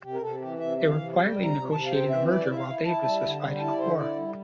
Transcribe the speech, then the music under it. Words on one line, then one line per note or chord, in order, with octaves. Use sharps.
They were quietly negotiating a merger while Davis was fighting a war.
C3 G4
A#4
C3 A4
E3 G4
C3 E5
E3 E5
F5
C3
G3 G5
C3
A#5
C3
C3 A5
F5
C4 G5
E3 E5
E4 D5
E4 E5
F5
E4
E4 A5
G3 A5
D3 A5
G3
G5
E4 A5
D5
D3 C5
E4 D5
G3